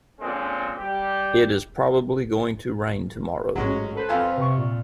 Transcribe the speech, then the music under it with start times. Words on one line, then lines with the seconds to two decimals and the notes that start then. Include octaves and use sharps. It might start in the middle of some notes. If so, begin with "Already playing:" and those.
It is probably going to rain tomorrow.
0.20 A#2 D3 G#3 C4 C#4
0.78 G3 G4
3.56 A1 G#2 F#3 G#3 C#4
3.95 A4 B4 C5
4.09 F2 F4 G#5
4.37 C3 C#6
4.57 A#2